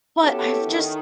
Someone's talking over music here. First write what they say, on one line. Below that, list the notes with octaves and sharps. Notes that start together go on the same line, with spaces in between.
but I've just
B3 C#4 E4 F#4 G4 A4
D#3